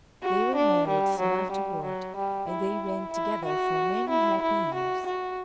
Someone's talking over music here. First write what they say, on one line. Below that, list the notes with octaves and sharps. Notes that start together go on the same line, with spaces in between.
They were married soon afterward, and they reigned together for many happy years.
F#4
D4
G3
F#3
G3
F#3
G3
E4
E4
F#4
E4
E4
F#4
F#4